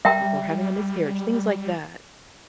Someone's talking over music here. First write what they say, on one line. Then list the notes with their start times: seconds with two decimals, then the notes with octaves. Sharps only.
or having a miscarriage, things like that.
0.05 G3 E5 G5 A#5